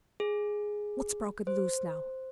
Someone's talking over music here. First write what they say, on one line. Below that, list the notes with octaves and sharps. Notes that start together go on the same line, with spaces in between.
What's broke loose now?
G#4
C5